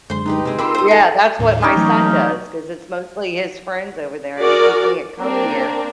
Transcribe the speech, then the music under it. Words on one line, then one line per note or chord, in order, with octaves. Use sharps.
Yeah, that's what my son does, ‘cause it's mostly his friends over there and if he can't come here,
F#2 D3 G#3 C5 C6
D#4 G4 B4
C3 G#3 C4
G#3 F4 G4 A#4 B5 C6 E6
C5 D#6
A4 A#5
D#2 A2 D#3
C#4 D#4 G4
E3 F#3 A3
F#4 G#4 A#4 D5
A#3 C4 D4 A#4